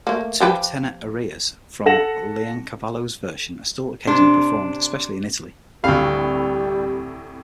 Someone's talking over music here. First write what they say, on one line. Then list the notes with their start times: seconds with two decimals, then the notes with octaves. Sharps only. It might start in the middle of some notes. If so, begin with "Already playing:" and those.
Two tenor arias from Leoncavallo's version are still occasionally performed, especially in Italy.
0.07 A3 A#3
0.40 F3 G4 B4
1.86 A4 F#5 A#6 E7 F#7
4.07 C3 D4 C5
5.84 D2 A2 C3 G3 F5 B5